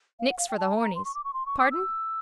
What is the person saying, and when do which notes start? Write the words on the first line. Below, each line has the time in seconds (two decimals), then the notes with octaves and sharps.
Nix for the hornies. Pardon?
0.19 F5
0.29 F#5
0.38 F5
0.49 G5
0.58 A5
0.76 A#5
0.95 C6
1.05 C#6
1.15 D6
1.24 C#6
1.34 C6
1.46 C#6
1.59 D6
1.71 E6